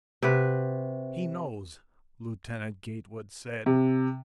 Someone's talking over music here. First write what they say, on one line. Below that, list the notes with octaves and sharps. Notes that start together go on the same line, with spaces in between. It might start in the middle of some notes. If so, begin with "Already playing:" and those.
"He knows," Lieutenant Gatewood said.
C3 F#4 B4
C3